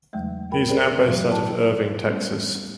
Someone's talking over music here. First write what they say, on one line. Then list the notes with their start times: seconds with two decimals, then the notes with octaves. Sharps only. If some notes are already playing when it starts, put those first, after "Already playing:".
He is now based out of Irving, Texas.
0.13 E2 C#3 E3 F#3 G#3 A3
0.51 F#4 A#4 G5 B5
0.68 C#4 G4 G#4 A#4 C5 D5
1.05 G2 C#3 E3 F#3 A3
1.31 E4 G5 A5
2.06 G3 A3 B3 C#4